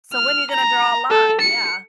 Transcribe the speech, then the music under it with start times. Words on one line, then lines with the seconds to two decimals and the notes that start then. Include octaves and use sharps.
So, when you gonna draw a line? Yeah.
0.13 F6
0.52 A#5
1.11 A4
1.41 C#7